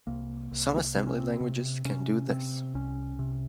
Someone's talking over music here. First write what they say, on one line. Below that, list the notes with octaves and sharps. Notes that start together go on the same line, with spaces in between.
Some Assembly languages can do this.
C2 A#3
C2
C3 C4
C#4
C4
C3
C3 C#4
C3 C4
C2 C#4
C3